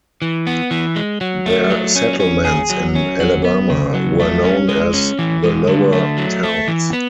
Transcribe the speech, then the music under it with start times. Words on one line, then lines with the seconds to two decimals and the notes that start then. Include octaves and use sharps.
Their settlements in Alabama were known as the Lower Towns.
0.22 E3
0.47 B3
0.71 E3
0.96 G#3
1.21 F#3
1.46 A3
1.70 F#3
1.96 C#4
2.20 C#4
2.45 G#4
2.70 F#3
2.95 C#4
3.20 F#3
3.45 B3
3.70 C#3
3.94 F#3
4.20 A3
4.44 C#4
4.69 G#3
4.94 C#4
5.19 E3
5.44 G#3
5.68 D3
5.93 A3
6.18 F#3
6.43 A3
6.68 E3
6.93 B3